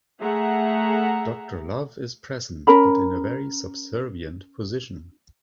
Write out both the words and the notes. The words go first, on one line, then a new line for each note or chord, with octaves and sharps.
Doctor Love is present but in a very subservient position.
A3 G#4 E5 F#5 A#5
C#4 A#4 A#5 B5